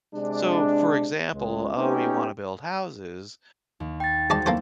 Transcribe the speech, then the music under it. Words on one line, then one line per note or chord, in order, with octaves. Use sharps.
So, for example, "Oh, you wanna build houses,
C3 G#3 D4
C#2 G#3
A3 B3 C#4 D#4 G4
D#2
G5 A6
G#2 G3 F#4 C5 D5 A5
F#3 G3 A#3 E4 A4 C5